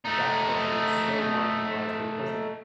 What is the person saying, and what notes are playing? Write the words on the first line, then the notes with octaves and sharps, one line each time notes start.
that culture is so marginalized that it doesn't
A3 D#4